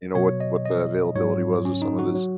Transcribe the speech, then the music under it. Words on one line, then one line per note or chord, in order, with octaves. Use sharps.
you know, what what the availability was of some of this.
B2 F#3 C#5
D#5
D#5
G#2 F#3 C#5
C#4
D#4
F#4
F#3